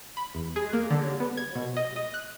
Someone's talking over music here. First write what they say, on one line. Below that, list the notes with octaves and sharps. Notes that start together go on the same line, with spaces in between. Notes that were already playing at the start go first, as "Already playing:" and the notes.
Very early in the morning.
B5
E2
G#4
A#3
D3
B3
G#6
B2
D#5
D#5
F#6